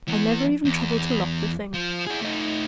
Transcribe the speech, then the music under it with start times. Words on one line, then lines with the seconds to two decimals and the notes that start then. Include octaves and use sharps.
I never even trouble to lock the thing.
0.08 E3 B3
0.65 E2
1.74 F3
2.06 E4 G#4
2.21 A3 D#4